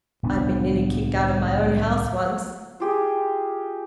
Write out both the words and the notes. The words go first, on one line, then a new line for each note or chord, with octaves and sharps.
I've been nearly kicked out of my own house once.
D1 C2 B3 D4
F4 G4 G#4